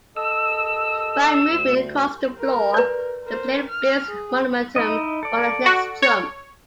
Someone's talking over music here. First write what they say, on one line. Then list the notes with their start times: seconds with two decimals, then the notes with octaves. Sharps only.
By moving across the floor, the player builds momentum for the next jump.
0.16 A4 D#5 E6
1.48 D2
2.40 A#4
2.74 B4 D5
3.25 A#4 C5
3.69 F6
4.08 G#4
4.76 D#4 E4 D#5
5.23 A4 D5
5.66 F#4
6.02 C#5